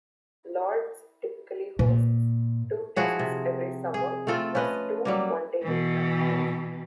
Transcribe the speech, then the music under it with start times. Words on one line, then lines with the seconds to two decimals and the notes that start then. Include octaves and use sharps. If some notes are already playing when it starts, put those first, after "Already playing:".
Lord's typically hosts two Tests every summer plus two one-day internationals.
1.79 A#2
2.96 F3 E4 F#4 G#4
3.19 C3
3.94 G#4
4.27 A3 C4 F4 A4
4.55 C#4 B4 D#5
5.05 F#3 G3 A#3
5.62 B2 E3